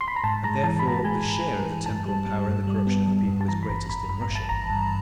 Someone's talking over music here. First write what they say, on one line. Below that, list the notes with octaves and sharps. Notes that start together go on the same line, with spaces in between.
And therefore the share of the temporal power in the corruption of the people is greatest in Russia.
C6
B5
A#5
G#2 A5
G#3 A#5
E3 A5
B5
G#2 A#5
A5
G#3 G#5
G#2
G#3
E3
G2 A5
G3
G3
G2
G3
B3
G3
G2
A5
E3 A#5
B5
G#1 A#5
G#1 B5
G2 B5
A#5
G#1
A5
G#1 A#5
G2